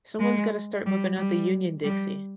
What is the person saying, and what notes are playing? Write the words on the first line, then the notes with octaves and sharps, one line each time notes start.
Someone's gotta start whipping out the union Dixie.
G#3
G3
G3
G3